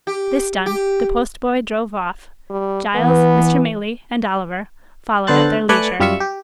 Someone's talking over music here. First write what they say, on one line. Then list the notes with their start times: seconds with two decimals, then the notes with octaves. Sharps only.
This done, the postboy drove off; Giles, Mr. Maylie, and Oliver, followed at their leisure.
0.07 G4
0.66 G4
2.50 G3
2.95 E3 B3
5.27 D3 B3 A4 C5 F#6 A6
5.69 A3 B4 D5 G#5 F#6 C#7
6.00 F#2 G3 F4 E5 C#6 E6
6.20 G4